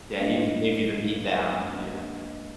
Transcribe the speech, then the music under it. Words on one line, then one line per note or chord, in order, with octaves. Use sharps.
Yeah. Yeah, he he gave you the beat down, yeah.
G#3 A#3 D4 B4 D#5 F5